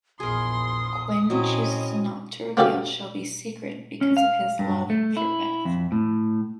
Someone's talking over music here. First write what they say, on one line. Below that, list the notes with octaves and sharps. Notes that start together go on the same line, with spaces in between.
Quinn chooses not to reveal Shelby’s secret because of his love for Beth.
A#1 E2 G#4 A#4 C6 D#6
A#2 F#3 C4 C#4 E4 D#5
A#3 C#4 F#4 G4 A4 F5
C#4
F5
G2
A3
E4
F2
A2